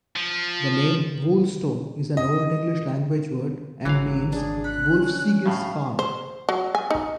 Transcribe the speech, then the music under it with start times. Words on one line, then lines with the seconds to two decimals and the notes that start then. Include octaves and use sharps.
The name 'Woolstone' is an Old English language word, and means 'Wulfsige's farm'.
0.16 F3
2.17 D#5
3.85 G#1 E3 F#3 F5
4.32 D4 G#4
4.64 B5 F#6
4.91 C#4
5.46 A2 C#3 F5
5.99 C5
6.49 F#3
6.75 G#5
6.91 D#4